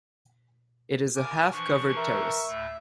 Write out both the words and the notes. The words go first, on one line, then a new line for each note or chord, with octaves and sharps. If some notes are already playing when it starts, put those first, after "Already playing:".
It is a half covered terrace.
A#4 G#5 D6
E3 F3 D4 C#6
A#4 E5
D2 A2 A3